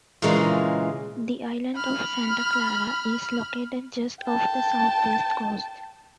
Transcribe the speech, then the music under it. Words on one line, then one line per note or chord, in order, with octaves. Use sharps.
The island of Santa Clara is located just off the southwest coast.
A#2 C#3 E3 G#3 A#3
B5 F6
G5 A5